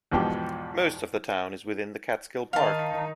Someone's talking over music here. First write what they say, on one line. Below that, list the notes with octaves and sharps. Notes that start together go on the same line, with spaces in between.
Most of the town is within the Catskill Park.
E2 G#2 B2 F3 G4 G5
D#3 D#4 F5 A5